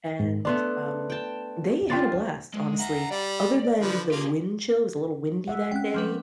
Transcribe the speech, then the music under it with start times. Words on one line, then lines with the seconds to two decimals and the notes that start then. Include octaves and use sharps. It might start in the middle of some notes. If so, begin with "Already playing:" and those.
and, um, they had a blast, honestly, other than the wind chill it was a little windy that day,
0.20 G#2
0.45 A3 B3 D4 D5 C6 F#6
1.10 G5 A5
1.90 D4 F4 G5 C6 A6
2.54 G#3
2.79 E5 F#5 A#5
3.11 G3 D5
3.80 D3 F3 B4
4.11 A#3 F4 G4 G#4
5.48 G#3 E5 F#5
5.71 G#3 C4 C#4 G5 F#6
5.94 F3 G3 B4